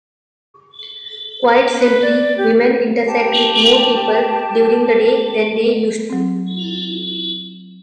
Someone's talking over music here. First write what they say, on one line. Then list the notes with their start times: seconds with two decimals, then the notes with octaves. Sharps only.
Quite simply, women intersect with more people during the day than they used to.
1.78 B4
2.02 D5
2.37 G4
3.06 G4 A5
6.10 F#3 C4